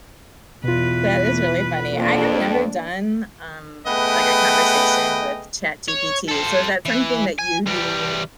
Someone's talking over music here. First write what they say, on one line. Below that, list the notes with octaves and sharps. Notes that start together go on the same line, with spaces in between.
That is really funny, I have never done, um, like, a conversation with ChatGPT, so, is that something that you do
E2 B2 F4 B4
F2 A#3 D4
A3 B3 G#4 B4 D#5 G5
C#5
A4 C5
E3
G#5
E3 G3